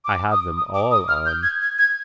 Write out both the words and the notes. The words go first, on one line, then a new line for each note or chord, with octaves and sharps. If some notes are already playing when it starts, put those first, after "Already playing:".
I have them all on.
D6
D#6
D#6
D6
D#6
F6
G6
G#6
G#6
G#6